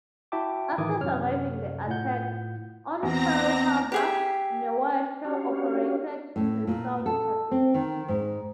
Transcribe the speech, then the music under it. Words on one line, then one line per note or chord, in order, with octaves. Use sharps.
After surviving the Attack on Pearl Harbor, "Neosho" operated in the South Pacific.
E4 F#4 E5 G5 A5 D6
A2 D#3 E3 D6 D#6 G#6
F#2 C3 C#5 F6
A2 A3 F4 F#5 G6
E2 C4 A#5 A#6
G4 G#4 E5
C#4 D4 F#4 G4 C#5 F5
A2
A#2
A4
C4
D#3
G#2